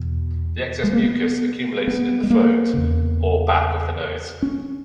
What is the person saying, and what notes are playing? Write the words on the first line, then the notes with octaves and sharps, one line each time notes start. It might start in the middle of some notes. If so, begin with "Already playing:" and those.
The excess mucus accumulates in the throat or back of the nose.
Already playing: E2 B2
G#3
A#3
B3
B3
G#3
A#3
E2 C#3
C#4